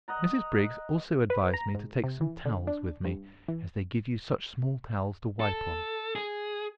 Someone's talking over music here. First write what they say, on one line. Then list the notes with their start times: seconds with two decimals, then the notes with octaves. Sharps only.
Mrs. Briggs also advised me to take some towels with me, as they give you such small towels to wipe on.
0.08 D#5 F#5 A#5
1.30 B4
1.54 A#5
1.75 G#2
2.04 C3
2.21 E3
2.45 D3
2.67 D4
3.05 G2
3.48 E3
5.40 A4
6.15 G#4